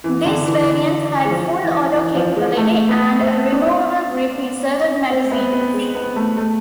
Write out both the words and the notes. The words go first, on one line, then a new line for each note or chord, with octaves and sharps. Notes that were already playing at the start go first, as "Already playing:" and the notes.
This variant had full auto capability and a removable grip inserted magazine.
E3
D3
E3
G#3
F3
E3
E3
F3
G#3
A3
B3
C4
D4
C4
B3
B3
G#3
B3
A3
A3